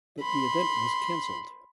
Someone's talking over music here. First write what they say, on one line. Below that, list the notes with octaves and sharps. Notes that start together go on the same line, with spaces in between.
But the event was canceled.
B5 C6